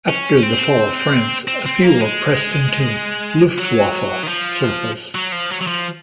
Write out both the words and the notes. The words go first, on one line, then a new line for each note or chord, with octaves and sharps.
After the fall of France, a few were pressed into "Luftwaffe" service.
C#4
C4
C4
C4
A#3
G#3
F#3
D#3
F3
F#3
F3
F#3
F#3
F3